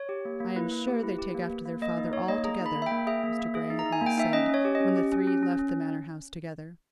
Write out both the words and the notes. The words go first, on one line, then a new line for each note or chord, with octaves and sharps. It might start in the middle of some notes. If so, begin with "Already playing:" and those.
"I am sure they take after their father altogether," Mr. Grey had once said when the three left the Manor-house together.
Already playing: C#5
G4
A#3
A#3
E4 B4
A#3
G4
E4
G4
A#3
A#3
A#3
A#3 D#5
D#4
D#4 C#5
A#3 D#5
G#4 A#5
D#4
B5
A#3
E5
G5
A#3
G#4 E5
A#3
A#3
G#4
D#4
A#5
D#4
G#5
A#3 G5
D#4 E5
C#4 D#5
C#4
C#5
G4
D#5
C#4
G4
C#4
C#4
C#4
C#4